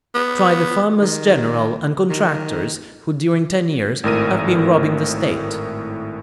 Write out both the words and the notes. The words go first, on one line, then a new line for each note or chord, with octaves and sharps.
"Try the farmers-general and contractors, who, during ten years, have been robbing the state."
B3
D#3
D#3
G#1 A2 A#4 D#7